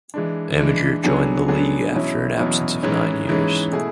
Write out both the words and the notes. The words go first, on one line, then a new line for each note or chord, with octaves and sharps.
Amager joined the league after an absence of nine years.
E3 G#3 D4
E3 G#3 D4
D3 F#3 B3 D4 G#4
D3 F#3 B3 D4 G#4
E2 B2 F#3 C#4 E4
E2 B2 F#3 C#4 E4
G#2 E3 G#3 C#4
G#2 E3 G#3 C#4
B2 A3 E4 G#4